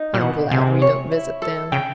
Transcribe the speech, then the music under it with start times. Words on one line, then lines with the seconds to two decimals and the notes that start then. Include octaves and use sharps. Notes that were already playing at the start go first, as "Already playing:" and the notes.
I'm glad we don't visit them.
Already playing: D#4
0.14 A#2
0.21 B2 F#5
0.51 C3 G#4
0.82 C#5
1.12 E4
1.42 A4
1.72 C#3 G5